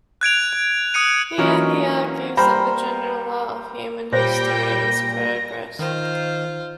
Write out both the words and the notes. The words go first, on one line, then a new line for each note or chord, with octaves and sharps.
Here, he argues that the general law of human history is progress.
F#6 G#6 D7 F7
D#6 F#6 C#7 D#7
E3 F#3 A#3 C#4 D#4 F4
G3 A#3 C5 G5 A#5 B5
A#2 G3 C5 C#5 G5 A#6
D#3 F4 C5